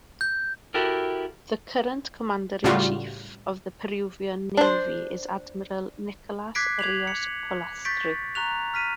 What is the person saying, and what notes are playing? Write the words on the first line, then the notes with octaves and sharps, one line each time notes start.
The current Commander-in-Chief of the Peruvian Navy is Admiral Nicolas Rios Polastri.
G6
E4 F#4 G4 A4 A#4
A2 C#3 G3 F4 F#4
D4 C5
D6 F#6 G#6 B6 C7 D7
G#6 F7 F#7
C#7
C#6 G6 A6 B6 D7
A#5 C#6 F#6 F7
F6 B6 D#7